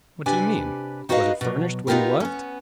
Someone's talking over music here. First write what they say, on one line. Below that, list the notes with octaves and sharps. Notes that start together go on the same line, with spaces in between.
'What do you mean?--was it furnished when you left?'
C3 D4 G4 B4 G#5
D#4 F#4 B4 D#5 F5
B2 F#3
B3 D#4 F4 G4 A#4 B4
B3 C#4